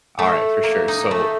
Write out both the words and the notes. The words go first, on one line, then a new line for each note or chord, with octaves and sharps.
All right, for sure, so,
A3
A#3
D#4
A3